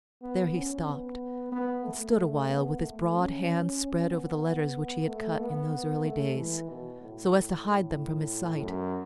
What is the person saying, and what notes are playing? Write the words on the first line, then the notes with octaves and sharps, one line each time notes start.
There he stopped and stood a while with his broad hand spread over the letters which he had cut in those early days, so as to hide them from his sight.
B3
C#4
B3
B3
A3
A3
B3
A3
C#4
B3
A3
B3
B3
A3
E3
B2
A2
A2
F#2